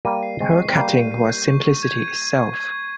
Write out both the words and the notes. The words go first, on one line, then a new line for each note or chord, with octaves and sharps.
Her cutting was simplicity itself.
G3 A#3 D#7
C7
G#3 C4 C#6
C7
C4
G3 A#3 G6
D#7
C7
G6
C#6
C#6
G#6
D#7
D#7
C#6
G#6
C#6